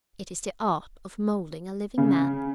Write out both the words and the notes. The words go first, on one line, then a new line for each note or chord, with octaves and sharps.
It is the art of moulding a living man.
C#3